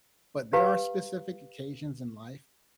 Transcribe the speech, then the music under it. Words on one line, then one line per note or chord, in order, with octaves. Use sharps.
but there are specific occasions in life
G4 B4 F5 A#5